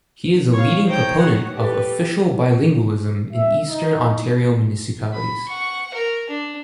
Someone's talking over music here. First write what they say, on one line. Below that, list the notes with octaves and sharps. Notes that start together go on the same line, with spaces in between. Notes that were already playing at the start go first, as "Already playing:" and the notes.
He is a leading proponent of official bilingualism in Eastern Ontario municipalities.
C#5 F5
D#4 C5 C#5 G5
F#4 F#5
G4 A4 B4
E5
D#4
B5
F#5 C#6
A#4
D4